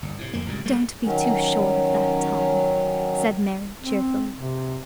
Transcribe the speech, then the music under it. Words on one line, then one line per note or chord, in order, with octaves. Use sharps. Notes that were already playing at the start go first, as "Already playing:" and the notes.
"Don't be too sure of that, Tom," said Mary, cheerfully.
G1
A2 C3
G1 F2 A#3
D1 C#2 A2 G3
G3 A3 A#3
D#3 F#3 C#4
C4
C3